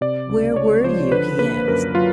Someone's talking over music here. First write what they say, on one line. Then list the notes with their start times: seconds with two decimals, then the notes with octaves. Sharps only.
"Where were you?" he asked.
0.01 C3 D5
0.29 C#2
0.56 C#2 C#5
0.84 F3 C5
1.12 D3 B4
1.39 A#3 B4
1.68 F#2 A#4
1.95 F#3 F4